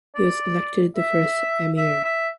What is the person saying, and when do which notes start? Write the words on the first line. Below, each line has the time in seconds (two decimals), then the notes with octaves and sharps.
He was elected the first Emir.
0.16 D5
0.96 E5
1.77 E5
2.04 E5